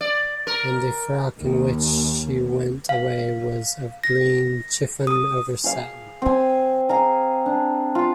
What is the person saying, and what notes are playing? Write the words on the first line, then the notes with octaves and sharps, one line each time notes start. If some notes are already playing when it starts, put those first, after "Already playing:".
And the frock in which she went away was of green chiffon over satin.
D5
A#4
D#2
F5
A#6
D#6
G#4 F5
C4 G#5
G#4 F5 A#5
D4
F4